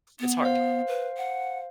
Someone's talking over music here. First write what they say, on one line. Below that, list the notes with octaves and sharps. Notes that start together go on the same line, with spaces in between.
it's hard.
B3
C5 F5
B4
F#5